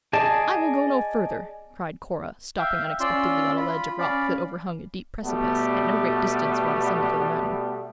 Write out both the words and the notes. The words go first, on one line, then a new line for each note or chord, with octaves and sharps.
"I will go no further!" cried Cora, stopping unexpectedly on a ledge of rock, that overhung a deep precipice, at no great distance from the summit of the mountain.
G#4 D5 D#5 A5
E5 F5 G5
C#4 F4 D5 C6 E6
F4 B5
C#4 D5 F5 B5
B2 G3 A3 B3